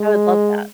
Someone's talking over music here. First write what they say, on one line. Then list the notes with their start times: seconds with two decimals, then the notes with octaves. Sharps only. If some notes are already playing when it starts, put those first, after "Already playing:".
I would love that.
Already playing: G#3